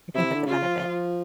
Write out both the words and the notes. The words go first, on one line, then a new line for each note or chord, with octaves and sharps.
I think that's a benefit.
C3 E4
D3
C#3 F4
F3